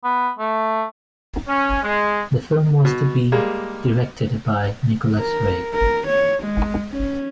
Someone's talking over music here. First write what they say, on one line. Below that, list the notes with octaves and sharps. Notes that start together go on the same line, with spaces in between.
The film was to be directed by Nicholas Ray.
B3
A3
C#4
G#3
B2
G3 G#3 A#3
A#4
A#4
C#5
G#3
C#4